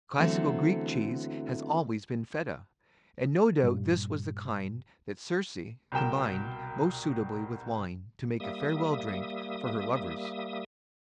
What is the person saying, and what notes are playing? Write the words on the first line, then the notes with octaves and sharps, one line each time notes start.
The classical Greek cheese has always been Feta, and no doubt this was the kind that Circe combined most suitably with wine to make a farewell drink for her lovers.
D3 E3 F#3 A3 B3 C4
G2 A#2 G3
C2 B2 A#4 G5 E7
G3 A#3 E5 D#6